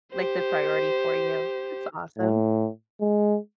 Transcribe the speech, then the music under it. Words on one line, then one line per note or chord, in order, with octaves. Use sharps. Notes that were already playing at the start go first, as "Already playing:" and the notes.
Like the priority for you. That's awesome.
G4 C5
A2
G#3